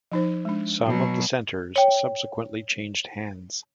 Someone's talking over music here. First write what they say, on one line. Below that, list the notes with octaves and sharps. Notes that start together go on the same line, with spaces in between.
Some of the centres subsequently changed hands.
F3 D#4 C5
G#3 D4
B2 F#3
C#5 G5